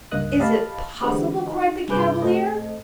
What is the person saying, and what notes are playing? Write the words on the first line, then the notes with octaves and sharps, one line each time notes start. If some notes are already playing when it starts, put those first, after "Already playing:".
"Is it possible?" cried the Cavalier.
C#2 G2 A#3 D#5 D#6 F#6
G4 D#5 F5 A5 B5
D3 E3 G#3 C4 F#4 G4
D#4
G2 C3 G#4 B4 D6 G6
A2 C4 A4 D#5